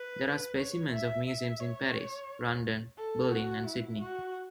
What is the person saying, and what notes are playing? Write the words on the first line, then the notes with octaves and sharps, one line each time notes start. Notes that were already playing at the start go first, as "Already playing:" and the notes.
There are specimens in museums in Paris, London, Berlin, and Sydney.
Already playing: B4
C#5
E5
E5
C#5
A4
F#4
E4
F#4